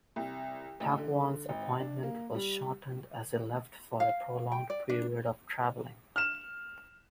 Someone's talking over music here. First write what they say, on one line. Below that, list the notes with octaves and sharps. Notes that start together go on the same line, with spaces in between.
Takuan's appointment was shortened as he left for a prolonged period of traveling.
C2
A1
D3
G#1
D4
A#3
G3
F5
G5
D5
D4
F6 E7